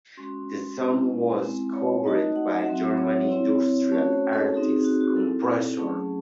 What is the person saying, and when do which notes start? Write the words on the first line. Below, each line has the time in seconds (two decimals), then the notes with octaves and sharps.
The song was covered by German industrial artist Kompressor.
0.17 G#3 C#4 F#4 C6
0.79 G#3 C#4 E4 G#5
1.41 G#3 C4 E4 G#5
1.74 C#5
2.04 A3 D#4 F#4 D#5
2.36 F#5
2.59 E5
2.66 F#3 C4 F#4 F#5
2.98 C#5
3.29 C4 E4
3.91 A3 C#4 F#4 C#5
4.13 C5
4.33 A4
4.53 C4 D#4 F#4 G#4
4.69 G#4
4.84 F#4
5.00 F#4
5.16 C4 E4 A4
5.78 F#3 A3 C#4 G#4